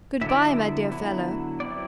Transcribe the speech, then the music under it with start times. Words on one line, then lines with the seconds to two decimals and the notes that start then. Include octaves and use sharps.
Good-bye, my dear fellow.
0.21 D3 F#3 B3 E4 E5
0.29 D5
0.36 E5
0.91 D3 F#3 B3 E4
1.60 F#3 C4 E4 D5